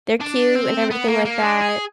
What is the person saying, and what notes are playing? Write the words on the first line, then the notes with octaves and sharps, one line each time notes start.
They're cute and everything like that.
D4
C4
B3
A#3
A#3
D4
G#4